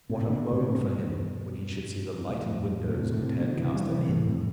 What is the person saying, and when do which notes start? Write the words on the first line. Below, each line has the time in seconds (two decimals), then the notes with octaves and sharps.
What a moment for him when he should see the lighted windows of Tadcaster Inn!
0.09 A2 C3
0.27 B2 D3
0.53 A2 C3
0.72 C3
0.79 G2 B2
2.30 B2
2.35 F2 A2
2.88 A2 C3
3.14 A2 C3
3.39 B2 D3
3.57 C3 E3
3.74 E3 G3
3.91 C3 E3
4.09 A2 C3
4.26 F2 A2